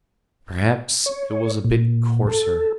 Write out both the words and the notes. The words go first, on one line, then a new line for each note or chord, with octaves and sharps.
Perhaps it was a bit coarser.
C#5
A#2
A4